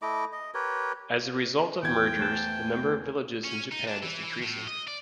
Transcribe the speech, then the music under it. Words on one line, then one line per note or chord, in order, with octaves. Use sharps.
As a result of mergers, the number of villages in Japan is decreasing.
A3 E4 D#5 D6
D#5
G4 A#4 B4 C#5
E2 G5 G#6
A3 C5 A5
C#4
D#4
D4
E3
E3
A2
D#5
D5